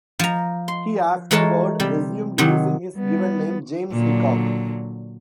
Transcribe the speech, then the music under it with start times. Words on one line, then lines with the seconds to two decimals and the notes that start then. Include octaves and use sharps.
He afterward resumed using his given name, James Hickok.
0.19 F3 A#5
0.68 C6
1.31 E3 G#3 A4 A#4 C#5 A5
1.80 C3 G3
2.38 C3 D#3 F#3
2.96 G3 B3
3.92 A#2 D3 F#3